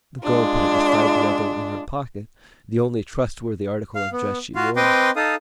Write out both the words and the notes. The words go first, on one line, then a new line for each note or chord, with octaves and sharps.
The girl put it beside the other in her pocket, the only trustworthy article of dress she wore.
G#3 D4 F4
F5
B3
F4 F#4 F5
C4 B4 D#5 G5 C6 D6
D#4 A4 F5 D#6